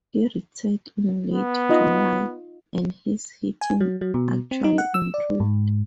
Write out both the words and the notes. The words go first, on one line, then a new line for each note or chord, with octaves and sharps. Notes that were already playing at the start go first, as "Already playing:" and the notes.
He returned in late July, and his hitting actually improved.
B3
D#4 F4 D#5
G#5
F#3
F#3
B2
C4
D#4
F#5
E6
D5
G#2